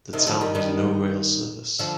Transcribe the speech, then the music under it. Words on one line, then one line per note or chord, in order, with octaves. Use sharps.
The town has no rail service.
C3 D#3
D3 F3
D#3 G3
D#3 G3
D3 F3